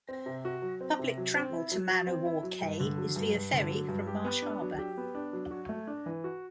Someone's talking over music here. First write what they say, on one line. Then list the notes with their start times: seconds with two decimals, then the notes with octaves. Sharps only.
Public travel to Man-O-War Cay is via ferry from Marsh Harbour.
0.09 C4
0.26 C3
0.45 F#4
0.62 F#3
0.81 C4
0.99 C3
1.17 F#3
1.35 C4
1.53 E4
1.72 F#3
1.89 F#3
2.07 C4
2.25 E4
2.43 F#3
2.62 G2
2.80 D3
2.98 F#3
3.16 G2
3.34 G2
3.52 D3
3.71 F#3
3.89 G2
4.07 G4
4.25 B3
4.42 D4
4.61 F#3
4.79 G4
4.97 B3
5.15 D4
5.33 F#3
5.51 F#4
5.69 A3
5.87 D4
6.06 E3
6.24 F#4